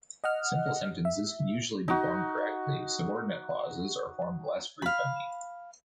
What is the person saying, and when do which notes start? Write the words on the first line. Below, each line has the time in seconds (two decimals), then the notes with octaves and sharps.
Simple sentences can usually be formed correctly, subordinate clauses are formed less frequently.
0.24 D#5 F#5 F6
1.05 E5
1.88 D#4 F#4
4.82 F5 B5